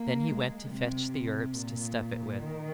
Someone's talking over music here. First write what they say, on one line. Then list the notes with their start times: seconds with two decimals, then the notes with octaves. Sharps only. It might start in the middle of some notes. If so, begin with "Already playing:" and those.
Then he went to fetch the herbs to stuff it with.
Already playing: A#3
0.29 G#3
0.71 C3
1.12 C3
1.55 A#2
2.38 D#3